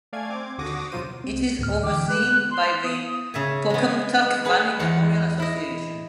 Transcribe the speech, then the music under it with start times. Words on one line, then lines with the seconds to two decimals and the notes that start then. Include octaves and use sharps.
It is overseen by the Pocumtuck Valley Memorial Association.
0.13 A3 D5 F5 G#5 G#6
0.29 C4 D6 G#6
0.58 D#2 D3 F#4 D6 D#6 A#6
0.91 E2 B2 F#3 F4 C5 D#7
1.24 C2 C4
1.59 D2 A2 F6
1.83 D3 E3 G5 D6
2.08 G#3 B4 F#6
2.51 C6
2.84 B3 D#6
3.34 C#3 E5 G#5
3.70 G#3 B3
4.45 G#4 B4 F#5
4.79 E2 C5 F#5
5.40 E4 D#5